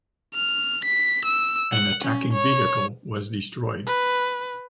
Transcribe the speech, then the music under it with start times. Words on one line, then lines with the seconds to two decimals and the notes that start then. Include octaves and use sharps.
An attacking vehicle was destroyed.
0.34 F6
0.85 B6
1.25 E6
1.72 F#5
2.04 C#4
2.33 C#5
3.87 B4